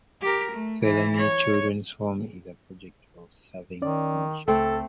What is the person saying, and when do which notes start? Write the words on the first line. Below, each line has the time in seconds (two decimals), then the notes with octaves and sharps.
Mseleni Children's Home is a project of Serving In Mission.
0.21 G4 A#4
0.52 A3
0.84 E3
1.19 C#5
3.82 D#3 C#4 D5
4.48 C#2 A3 C4 A4